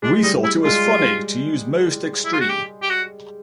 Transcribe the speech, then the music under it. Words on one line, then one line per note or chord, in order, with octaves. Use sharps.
We thought it was funny to use Most Extreme.
G#3 D4
G3 D#4
E4
G#3 F4
G3
E4
F4
F#4
G4
G4
F#4